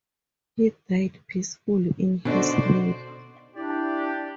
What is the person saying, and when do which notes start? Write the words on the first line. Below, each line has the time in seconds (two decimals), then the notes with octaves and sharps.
He died peacefully in his sleep.
2.25 B2 D3 D#4 F#4 C5 D5
3.56 D4 E4 G4 D5